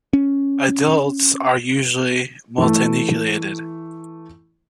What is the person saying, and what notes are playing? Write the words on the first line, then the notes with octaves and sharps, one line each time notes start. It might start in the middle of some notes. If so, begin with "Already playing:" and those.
Adults are usually multinucleated.
C#4
E3 A3